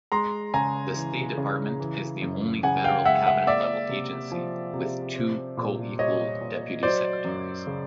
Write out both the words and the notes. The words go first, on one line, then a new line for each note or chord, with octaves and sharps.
The State Department is the only federal Cabinet-level agency with two co-equal Deputy Secretaries.
G#3 A#5 C6
C#3 G#5 A#5
E3
C#3
E3
F#2
C#3 F#5 G#5
F5 G5
G#3 E5 F#5
E5 F#5
A#3 D5 E5
C3
F3
C3
C4
A#2
G3 C#5 D#5
A#2
F#3 C5 D5
F#2
C#3